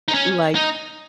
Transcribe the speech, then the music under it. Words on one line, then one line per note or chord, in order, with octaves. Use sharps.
i like
D#4
C#4
D#4